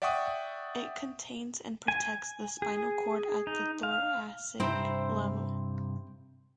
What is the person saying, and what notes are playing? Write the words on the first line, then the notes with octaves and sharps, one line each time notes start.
It contains and protects the spinal cord at the thoracic level.
D5 E5 F#5 G5 C#6 D#6
G#5
G#4
D#4
F5
G2 C3 C4 E4 C5 A#5